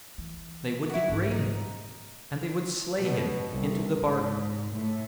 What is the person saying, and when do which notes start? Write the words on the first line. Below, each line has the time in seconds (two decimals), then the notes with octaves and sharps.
They would degrade him and they would slay him into the bargain.
0.18 E3
0.89 E4 F#4
1.09 G#2 C4
1.31 D#4
3.00 B2
3.53 C2
3.93 G#2
4.72 A2